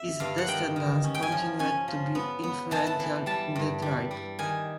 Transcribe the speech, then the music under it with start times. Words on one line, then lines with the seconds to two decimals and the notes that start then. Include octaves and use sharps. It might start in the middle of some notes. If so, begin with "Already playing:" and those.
His descendants continued to be influential in the tribe.
Already playing: E5
0.20 G2 F5
0.38 F#5
0.48 D#3 G5
0.76 D#3
1.04 C#4
1.14 G5
1.22 G#5
1.32 F3
1.59 C#4 G#5
1.88 F3
2.15 B3
2.43 B3
2.71 E3 A5
2.86 A5
3.00 E3
3.26 G3 A5
3.55 G2
3.82 G3
4.11 G3
4.39 D#3 G#5